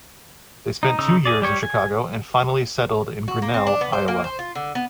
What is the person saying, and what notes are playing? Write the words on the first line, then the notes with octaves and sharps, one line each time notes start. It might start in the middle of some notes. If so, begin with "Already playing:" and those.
They spent two years in Chicago and finally settled in Grinnell, Iowa.
D#4
C#3 D#4 D#6 E6
G#4 D5
G3 G4 C#5
G#5
F#4
A#3
C4
D4
B3
C5
A#3
C5
F4
D3
B3